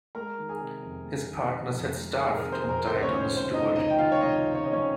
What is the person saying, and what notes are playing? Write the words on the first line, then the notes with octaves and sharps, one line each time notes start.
His partners had starved and died on the Stewart.
G#3 A#4 A#5
D#3
G#4 G#5
C3
F2
G#3
D#3
C3
F2
G#3
D#3 G#4 G#5
A#4 A#5
C3
C5
F2
A#4
C#2 C5
C#4 C#5
D#3
C5
C3
C5
C#2 D#4 D#5
C#2 D#4 D#5
G5
D#3 F4 F5
C#5
C3 D#4 D#5
C#2
C#5
C#2 D#5
C#4 C#5